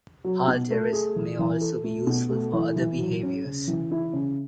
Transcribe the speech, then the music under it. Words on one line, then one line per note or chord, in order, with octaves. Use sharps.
Halteres may also be useful for other behaviors.
F#3
B2
A3
G#4
E3
E3
A4
A3
B2
A3
E3
E3
F#3
C#4
C#3
E3
E4
C#3